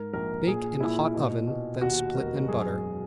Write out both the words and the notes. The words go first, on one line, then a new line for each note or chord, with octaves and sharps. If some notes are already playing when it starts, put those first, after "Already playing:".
Bake in a hot oven, then split and butter.
Already playing: G#2 A#4
A#1 A#4
A#2 G#4
A#2 E4
B2
B2
D#2 F#4
E1 A#4
F#2 G#4